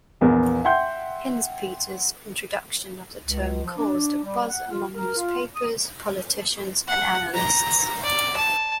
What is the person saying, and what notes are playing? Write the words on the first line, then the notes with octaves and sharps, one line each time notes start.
Hinzpeter's introduction of the term caused a buzz among newspapers, politicians and analysts.
A#1 E2 B3 A#4
E5 F#5 G5 C6 G6
C#2
F3
D4
G3
F#5
F4
A#4
F4
D#6
F#5
A#5
D5
A5